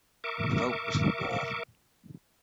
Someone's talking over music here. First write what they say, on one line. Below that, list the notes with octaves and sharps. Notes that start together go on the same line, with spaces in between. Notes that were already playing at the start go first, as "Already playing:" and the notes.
The vote was for war.
A#4 E5 C#6 D6